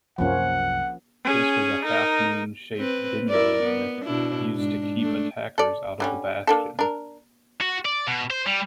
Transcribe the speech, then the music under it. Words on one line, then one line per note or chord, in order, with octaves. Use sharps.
This was a half-moon shaped demi-lune, used to keep attackers out of the bastion.
C2 F#2 F3 A#3 C#4 F#5
C#4 G#4
D#4 A#4
C4 B4
E4 A#4 D5
B3
B2 D4 E4
G#2 D4
A3 D4
A4 D5
D3 G3 C#4
A#3 D4 A4
D4 A#4
F#4
D5
B2
C5
G3